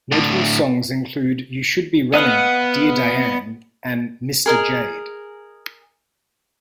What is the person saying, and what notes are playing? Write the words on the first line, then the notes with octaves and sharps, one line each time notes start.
Notable songs include "You Should Be Running", "Dear Diane" and "Mr. Jade".
A2 D3
B3 D#5 F5 F#5
G#4 A#4 D#5 G#5